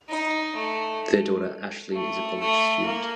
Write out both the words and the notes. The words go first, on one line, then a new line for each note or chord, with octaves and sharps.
Their daughter Ashley is a college student.
D#4
A3
A3
A3
A#3